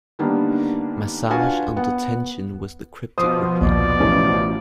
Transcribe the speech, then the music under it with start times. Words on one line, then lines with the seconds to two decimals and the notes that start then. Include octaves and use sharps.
Massage under tension, was the cryptic reply.
0.19 D3 D#3 G3 A#3 B3 D4
1.30 D4 F4 F#4 B4 G#5
1.76 B3 F#5
3.18 B2 F3 C5 C6 D6 D#6
3.61 A#1 D#2 D5
4.00 A1 C#4